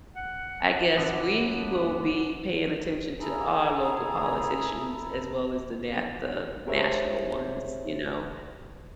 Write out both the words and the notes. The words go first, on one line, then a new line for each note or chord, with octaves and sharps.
I guess we will be paying attention to our local politicians as well as the na the national ones, you know.
F#5
F#2 D3 B3
E4 G#4 A4 A#5
G4 G#4 A#4 C5 C#5 E5